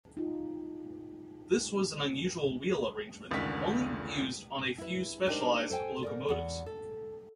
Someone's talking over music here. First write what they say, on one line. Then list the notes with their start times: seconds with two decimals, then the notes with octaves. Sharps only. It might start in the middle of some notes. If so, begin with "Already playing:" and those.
This was an unusual wheel arrangement, only used on a few specialised locomotives.
0.17 D#4 F4
3.31 F1 C#2 D3 D#3 C#4 B6
4.78 E4 B4
5.27 D4 D#4 G4 G#4 A#4 C5
5.70 A4 C5 E5 G5 G#5
6.02 G#2 A#4 D5
6.29 E2 F#5
6.66 A4